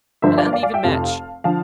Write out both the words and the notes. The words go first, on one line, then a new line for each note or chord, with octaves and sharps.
An uneven match.
G2 D3 F3 C5 E5
D5 F5
D5 F5
D5 F5
E5 G5
F1 F2 C3 F5 A5
D3 F3 F5 A5